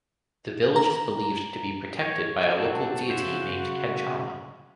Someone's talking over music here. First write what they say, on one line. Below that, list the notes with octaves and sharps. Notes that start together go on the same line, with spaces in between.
The village is believed to be protected by a local deity named Kenchamma.
A#5
C#5
C4 D4 F#4 A4
C#3 C5 E5